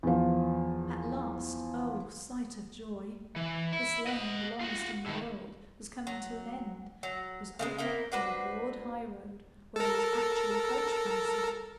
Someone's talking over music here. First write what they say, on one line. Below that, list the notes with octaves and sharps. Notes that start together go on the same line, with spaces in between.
At last--oh, sight of joy!--this lane, the longest in the world, was coming to an end, was opening on a broad highroad, where there was actually a coach passing!
E2 F3
E3
E4
D#5 F#5
F4 F#4
A2 D#3
F#3
F#3
C#3 F#3 G#3
A#3 D#4 E4
D4 F#4 B4 C5
A4 A#4